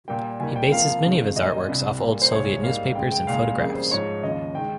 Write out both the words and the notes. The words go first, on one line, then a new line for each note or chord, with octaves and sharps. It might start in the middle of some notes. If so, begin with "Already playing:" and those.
He bases many of his artworks off old Soviet newspapers and photographs.
A#2 G3 A#3 G5
D#2 D#3 G3 A#3 G#5
G5
F2 C3 F3 A#3 F5
C#2 C3 D#3 G#3
A#2 G3 A#3 D#5
D#5
C2 C3 G3
A#2 G3 A#3
C5
C2 A#2 G#3 C#5
G#2 G3 A#3 F5
C#2 C#3 G#3 G5
G5
C2 A#2 G#3 F5
F2 C#3 G3 A#3 G#4
C5
G#2 F3 G#3 C#5
D#2 C#3 F3 D#5
D#3 G#3 G5